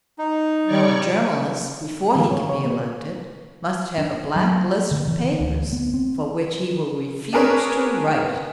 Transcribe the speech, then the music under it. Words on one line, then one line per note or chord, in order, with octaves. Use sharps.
Now a journalist, before he can be elected, must have a black-list of papers for which he will refuse to write.
D#4
G3 C#5 D5 C#6
D3 E3 F#3 F5 G#5
C#5
C#5
A#3 C#5
D4
F#3
D3
E3
D2
B3
C4
D4 G#4 A#4 B4 C#5